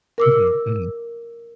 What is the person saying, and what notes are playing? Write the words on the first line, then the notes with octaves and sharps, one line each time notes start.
Mhm, mhm.
A#4 D6 E6